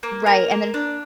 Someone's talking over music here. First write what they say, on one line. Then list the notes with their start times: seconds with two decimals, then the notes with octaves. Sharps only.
Right, and then s
0.03 A#3
0.26 A#4
0.51 A#3
0.74 D4